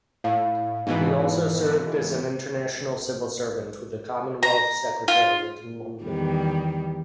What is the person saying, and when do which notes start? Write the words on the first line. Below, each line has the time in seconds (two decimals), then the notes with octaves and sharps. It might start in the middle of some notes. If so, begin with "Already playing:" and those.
He also served as an international civil servant with the Commonwealth Secretariat in London.
0.24 A2 F5
0.87 G#2 B2 E3
4.43 A#5
5.08 F4
6.04 E2 D#3 G3